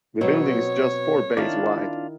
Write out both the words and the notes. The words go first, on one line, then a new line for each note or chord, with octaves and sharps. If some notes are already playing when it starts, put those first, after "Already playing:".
The building is just four bays wide.
B2 F#3 C4 C#5
D#3 D4 E4 F4 A5